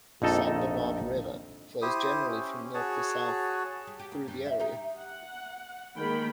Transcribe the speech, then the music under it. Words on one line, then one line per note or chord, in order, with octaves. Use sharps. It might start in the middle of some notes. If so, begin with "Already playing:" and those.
The San Bernard River flows generally from north to south through the area.
A#1 F2 D#4 A4
E4 G4 C5 D#6
C#4
F#4 G#4 C#5 A5
G3
G4
A#3
F#2 G3 D4
E5
D#4 G4 A#4
F#5
D#3 G#3 A#3 G5 B5